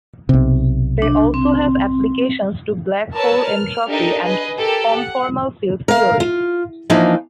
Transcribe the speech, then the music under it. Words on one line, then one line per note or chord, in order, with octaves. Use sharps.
They also have applications to black hole entropy and conformal field theory.
B1 C3
D4
C4
A#4 B4 C#5 A5 E6
F6
D4 D#4 G4 A4 A#4 D#5
G#4 B4 D#5
G4 A4 A#4 E6
F#5
A#4 F5
F4
E3 F3 A#3 D4 D#4